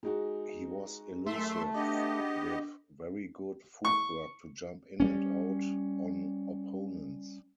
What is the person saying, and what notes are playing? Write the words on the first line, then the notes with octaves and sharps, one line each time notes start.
He was elusive with very good footwork to jump in and out on opponents.
G#3 D#4 F#4
F#2 A3 E5 C6
B3 D4 G4 D#5
C#6
G3 A#3 C#4